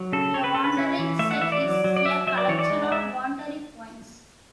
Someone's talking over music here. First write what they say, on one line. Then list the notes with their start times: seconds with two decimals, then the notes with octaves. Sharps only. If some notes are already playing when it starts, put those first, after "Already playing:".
A wandering set is a collection of wandering points.
Already playing: F#3
0.12 C#3 A4
0.34 C#3 C#5
0.44 B4
0.55 C#3 A4
0.64 B4
0.77 C#4
0.99 E3
1.19 A3 E5
1.31 F#5
1.41 E3 E5
1.52 D5
1.62 F#3
1.84 F#3
1.96 D5
2.05 F#3 E5
2.27 F#3 E5
2.38 D5
2.48 E3 C#5
2.59 D5
2.70 G#3
2.84 F#5
2.92 G#3 E5